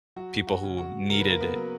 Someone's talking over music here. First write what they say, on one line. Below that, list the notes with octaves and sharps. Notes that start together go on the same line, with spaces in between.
people who needed it
F#3 F#4
F#4
C#3
F#4
C#3 A#4
B4
A#3 A#4
B3 B4
F#3